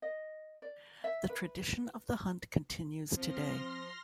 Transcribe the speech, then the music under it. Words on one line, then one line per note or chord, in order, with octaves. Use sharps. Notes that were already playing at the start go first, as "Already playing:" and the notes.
The tradition of the hunt continues today.
D#5
D5
E5
B4
F3 C4 C6 F6 A#6